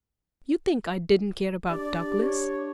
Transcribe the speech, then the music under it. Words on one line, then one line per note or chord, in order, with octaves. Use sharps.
You think I didn't care about Douglas?
D4 G4 D5
C#5